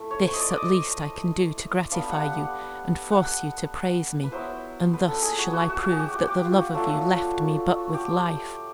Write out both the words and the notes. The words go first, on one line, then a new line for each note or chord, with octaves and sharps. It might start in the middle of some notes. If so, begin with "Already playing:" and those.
This at least I can do to gratify you and force you to praise me; and thus shall I prove that the love of you left me but with life.
Already playing: A3 E4
C#5
C5
D#5
D5
D#5
G3 B3 D4 F5
F#5
F#5
F#5
B4
F#3 B3 E4 C5
B4
A4
G#4
F#4
F#4
F#4
F#4
G#4
G4
F#4
G4
F4
G4
F#4
F#3 A3 D4 F4 F#4
G4